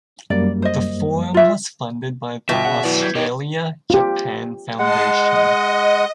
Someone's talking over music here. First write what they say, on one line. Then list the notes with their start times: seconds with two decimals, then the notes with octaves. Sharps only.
The forum was funded by the Australia Japan Foundation.
0.30 F#2 G3 A#3 D5
0.62 C5 D#5
1.34 F4 E5
2.49 G1 B2 F4 E5 G5
2.65 C#3 F#5
2.84 E3 F#3 D5
3.02 G6 G#6 B6
3.15 D#3 G4 C#5 D#5
3.90 F4 G4
4.79 G#3 D#5 F#5 A5 C7
5.16 D#5